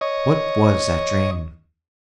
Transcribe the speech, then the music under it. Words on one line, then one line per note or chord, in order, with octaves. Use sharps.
What was that dream?
C#5 D#5